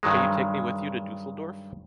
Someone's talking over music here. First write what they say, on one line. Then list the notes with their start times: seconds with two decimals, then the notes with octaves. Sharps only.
Can you take me with you to Düsseldorf?
0.03 G2 D#3 F#3 G#3